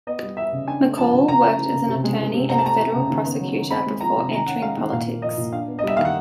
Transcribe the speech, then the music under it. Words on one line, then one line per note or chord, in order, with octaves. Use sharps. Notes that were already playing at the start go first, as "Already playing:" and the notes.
McCaul worked as an attorney and a federal prosecutor before entering politics.
B3 D#5
G3
E3 E5
C#3
D4 G#5
A3
F3 A5
D3
C#3 A#5
A3
E3
C#3
C3
G#3
E3
C3
C4 A#5
A5
A3 A#5
E3
C#3
D#3
B3
F#3
D#3
C4 B5
G#3
F3 A#5
C3
D#3 A#5
C#4 F#5
G#3 F5
D#3 F#5
A#2 F5
A#3
F3 D#5
A#2
D4 F5
B3
D#5
G3 E5
D#3 F5
F#5